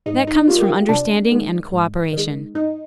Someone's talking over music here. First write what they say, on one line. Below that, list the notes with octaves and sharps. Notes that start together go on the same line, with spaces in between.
That comes from understanding and cooperation.
G#2 D#4
D#4
G3 A#3 F4
G4
F4
C3 D4
D#3 G#3
G#2
D#3 G#3
G2 D#4